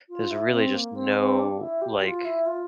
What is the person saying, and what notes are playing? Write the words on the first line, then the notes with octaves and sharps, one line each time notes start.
there's really just no, like
F4
E4
C4
A#3
C4
C4
D4
E4
G4
F4
E4
F4